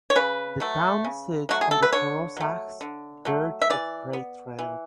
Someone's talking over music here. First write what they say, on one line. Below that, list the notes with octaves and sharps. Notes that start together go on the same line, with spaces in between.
The town sits on the Trossachs Bird of Prey Trail.
C#5
C#3 B4
F#3 A3
C#3
F#3 A3 F#4
G#4
A4
B4
D3 C#5
F#3 A3
D3
F#3 A3
E5
E3 D5
B3
E3